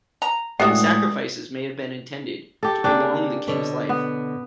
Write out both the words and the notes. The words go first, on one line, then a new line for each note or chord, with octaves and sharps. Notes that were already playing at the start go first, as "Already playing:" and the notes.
The sacrifices may have been intended to prolong the king's life.
A#5
A2 D3 G#3 B3 F#4 G4 E5 D#6
G4 A4
C#3 A#3 C4 D4 G4
B2 D3 C#5
B3